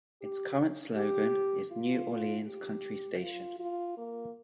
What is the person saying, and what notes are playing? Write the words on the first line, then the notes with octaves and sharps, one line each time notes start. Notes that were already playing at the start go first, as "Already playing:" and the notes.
Its current slogan is New Orleans Country Station.
G4
G4
F4
G4
F4
F4
A#3